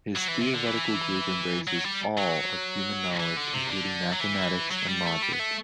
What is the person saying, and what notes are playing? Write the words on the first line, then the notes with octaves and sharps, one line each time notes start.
His theoretical group embraces "all" of human knowledge, including mathematics and logic.
F#3
E3
C3
D3
E3
F#3
G3
F#3
E3
D3
C3
D3
F#3
E3
F#3
G3
A3
G3
B3
A3